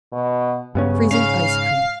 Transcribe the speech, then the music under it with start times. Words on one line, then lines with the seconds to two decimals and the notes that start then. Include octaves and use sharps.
Freezing Ice Cream.
0.12 B2
0.75 G2 C#3 B3 C#4
1.11 G#2 C#4 F5